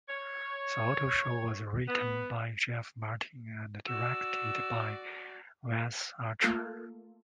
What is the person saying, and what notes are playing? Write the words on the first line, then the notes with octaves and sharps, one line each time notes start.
"The Otto Show" was written by Jeff Martin and directed by Wes Archer.
C#5
B3
F#4 D5 E6
A3 A#3 F4 A4